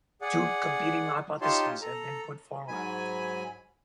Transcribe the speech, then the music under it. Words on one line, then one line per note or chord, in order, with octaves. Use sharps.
Two competing hypotheses have been put forward.
G#4 D5 F#5
D#4 F4 G4 C#5 A5 C6
A4 A#5
G#2 F#3 G#5 B5